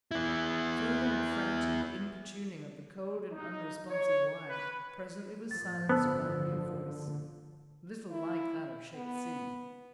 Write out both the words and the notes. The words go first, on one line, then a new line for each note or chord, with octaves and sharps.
Further and frantic importuning of the cold and unresponsive wire presently was silenced by a new voice, little like that of Shaik Tsin.
B3 E4
D#4
C#5
B4
G1 A2 F3 A6
D3 B3 C5 A5 E6
E4
B3